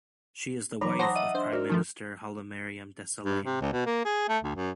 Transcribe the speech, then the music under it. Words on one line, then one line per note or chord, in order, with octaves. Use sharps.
She is the wife of Prime Minister Hailemariam Desalegn.
E3 F#3 D#4 C#5 A#5 B5 D6
C5 C#5 F#5 A5 A#5 D#6 A#6
D#5 E5 D#7
D4 C5
F#4 A#4 D5 F6
D#3 F3 A3 D4
G2
C3
C#2
B2
A#3
G#4
A3
D2
F#2